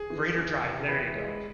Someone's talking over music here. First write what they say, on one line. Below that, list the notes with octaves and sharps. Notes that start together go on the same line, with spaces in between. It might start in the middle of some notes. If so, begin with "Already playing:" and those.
greater dry, there you go,
Already playing: G#4
E3
E2
C3
E2 B4
G#3